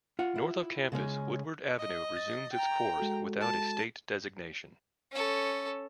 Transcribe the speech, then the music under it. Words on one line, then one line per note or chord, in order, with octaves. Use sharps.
North of campus, Woodward Avenue resumes its course without a state designation.
F4 F#5
E4
C#3 G#3 C#4
D#5
A6
G5 A#5
G#3 F#4 A4
A5
C#4 A4